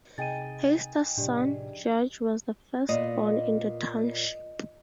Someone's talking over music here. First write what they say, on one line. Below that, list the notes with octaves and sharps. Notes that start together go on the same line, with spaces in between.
Heister's son, George, was the first born in the Township.
C3 D#4 G#4 G5 A6 D#7
A2 C3 F3 D4 G4 D5
A#2 B3 D#5